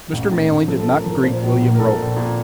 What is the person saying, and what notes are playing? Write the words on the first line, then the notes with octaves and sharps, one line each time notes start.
Mr. Manley did not greet William Roper.
A1
A2
A1
F3 A4
A2 A4
A#4
F3 A#4
A#2 C5
A#1
A#2
A#4
A#2 A4
A#1
A#2